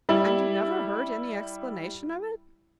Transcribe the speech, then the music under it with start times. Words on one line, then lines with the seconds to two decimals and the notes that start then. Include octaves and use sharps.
"And you never heard any explanation of it?"
0.09 G3 E4 D5 E5